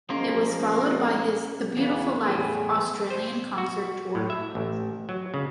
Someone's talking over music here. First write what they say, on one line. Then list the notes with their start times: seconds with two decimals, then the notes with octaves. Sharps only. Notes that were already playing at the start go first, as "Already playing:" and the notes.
It was followed by his "The Beautiful Life" Australian concert tour.
0.10 F3 G#3 A#3 C#4 C#5 C6
1.77 E2 C#3 B4
2.26 E2 A2 G#4
3.10 C5
3.58 F#4
4.15 A2
4.30 E5
4.55 A1
5.09 F#3
5.34 C#3